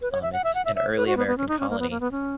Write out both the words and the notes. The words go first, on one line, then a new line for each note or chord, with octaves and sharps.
Um, it's an early American colony,
B4
C#5
E5
F#5
E5
F#5
E5
E5
B4
F#4
B3
B3
C#4
D#4
C#4
A#3
B3
A#3
B3
C#4